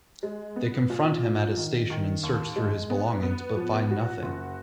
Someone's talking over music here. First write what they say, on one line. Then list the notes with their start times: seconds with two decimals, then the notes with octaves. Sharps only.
They confront him at his station and search through his belongings but find nothing.
0.23 G#3
0.56 B3
0.90 A#2
1.24 A#2
1.57 D#3
1.90 D#3
2.23 D#2
2.56 G#3
2.90 B3
3.23 B3
3.57 F3
3.90 F#4
4.23 F#1